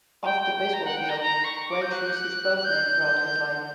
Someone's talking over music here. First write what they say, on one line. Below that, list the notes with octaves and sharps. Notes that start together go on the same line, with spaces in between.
Off the baseball field, Welch used his birth name throughout his life.
G5
G5
G5
A#5
F#5
G5
A#5
A#5
C#6
D6
G6
F#6
G6
F#6
F#6
G6